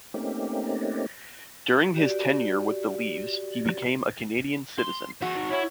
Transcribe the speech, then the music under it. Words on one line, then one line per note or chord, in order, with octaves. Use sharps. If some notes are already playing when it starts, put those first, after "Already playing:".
During his tenure with the Leafs, he became a Canadian citizen.
A3 A#3 C4 C#4 D#4 G4
F#4 G4 D5
C6
F#4 G#4 E5
C4 D#4
E4 C#5